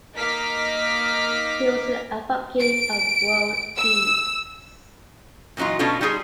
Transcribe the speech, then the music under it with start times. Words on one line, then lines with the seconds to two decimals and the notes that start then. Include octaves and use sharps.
He was an advocate of world peace.
0.15 A#3 D#4 D#5 D6 F6 B6
2.60 D7
3.78 E6
5.57 A#2 E3 F#3 D#4 F4
5.79 B2 C#4 D4 F4 A4
6.01 G3 D#4 F4 G#4